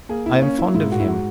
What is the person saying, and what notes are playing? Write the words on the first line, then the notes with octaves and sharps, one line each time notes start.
I am fond of him.
A#3 G#4
E4
A#3 C#4
E4
G#2 E4
F#4
E4
F#4